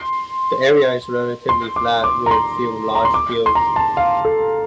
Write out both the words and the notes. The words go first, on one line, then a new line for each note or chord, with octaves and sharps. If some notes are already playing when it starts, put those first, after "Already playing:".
The area is relatively flat, with few large hills.
Already playing: C6
C6
D6
D6
A#5
C6
A#5
C6
D6
C6
A#5
A5
F5
A4